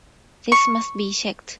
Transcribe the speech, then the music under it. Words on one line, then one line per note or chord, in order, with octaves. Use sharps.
This must be checked.
C#6